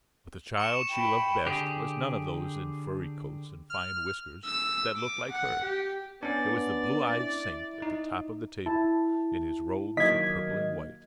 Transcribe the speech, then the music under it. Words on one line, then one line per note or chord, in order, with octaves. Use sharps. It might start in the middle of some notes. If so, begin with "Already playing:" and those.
But the child she loved best was none of those in furry coats and fine whiskers that looked like her; it was the blue-eyed Saint at the top of the table in his robes of purple and white.
C#6 C#7 E7
G5 B5
D3 G4 G#4
F6
E6
D6
F#5
G4
B3 C#4 D4 D5
E4
D#4
E4 A5
D#3 F#3 A#3 D#5 G#6 B6